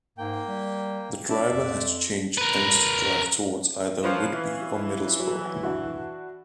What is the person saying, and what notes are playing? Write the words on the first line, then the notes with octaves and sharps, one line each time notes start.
The driver has to change ends to drive towards either Whitby or Middlesbrough.
G#2 A#3 G5
G3
D4 D5 E5
F2
A#4 B4
A#2 C#3 F3 B4 C#5 F5
E3
F#3
D4 E4 F#4